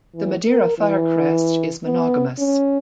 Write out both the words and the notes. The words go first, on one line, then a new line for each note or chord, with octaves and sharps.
The Madeira firecrest is monogamous.
E3
A#4
E3
B3
C#4